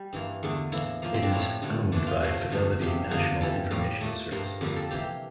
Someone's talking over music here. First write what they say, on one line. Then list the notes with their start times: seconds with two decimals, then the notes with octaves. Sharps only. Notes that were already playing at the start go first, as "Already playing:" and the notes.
It is owned by Fidelity National Information Services.
Already playing: G3
0.13 G2 E3 A#3
0.43 E2 D3 A3
0.72 A2 E3 A#3 E4
1.02 A#2 F3 A#3
1.14 C4
1.23 D4
1.32 A2 G3 A#3 E4
1.62 G2 D3 A3
1.92 G2 E3 A3 D4
2.07 F4
2.22 C3 F3 A3
2.50 E2 D3 F3 A3
2.81 E2 C3 F3 G4
3.11 E2 D3 F3 A#3
3.41 F2 E3 G3 A4
3.71 A2 G3 A#3
4.01 A#2 A3
4.31 G2 F3 A#3
4.61 F2 D3 G3 A#3
4.76 A4
4.91 C3 E3 A#3 G4